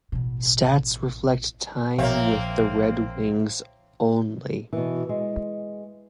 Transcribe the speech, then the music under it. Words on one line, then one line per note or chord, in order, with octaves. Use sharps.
Stats reflect time with the Red Wings only.
A1 B2
A#1 A#3 C4 C#5 E5 F5
B2 E3
G#3